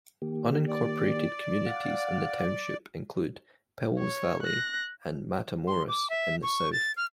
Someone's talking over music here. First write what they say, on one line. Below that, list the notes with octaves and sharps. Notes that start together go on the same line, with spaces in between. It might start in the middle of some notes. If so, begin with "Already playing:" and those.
Unincorporated communities in the township include Powells Valley and Matamoras in the south.
D#3 A#3 G4
D5
F5 F#5
C#5
F#6 A#6
C6
D6
E5
C#6
A6
F6